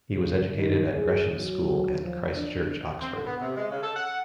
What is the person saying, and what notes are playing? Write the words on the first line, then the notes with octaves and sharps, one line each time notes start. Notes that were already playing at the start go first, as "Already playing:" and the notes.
He was educated at Gresham's School and Christ Church, Oxford.
C#3
D#3
G#4
F#3
F3
D4
C4
D3
B3
C3
G#3
C#3
A4
F#5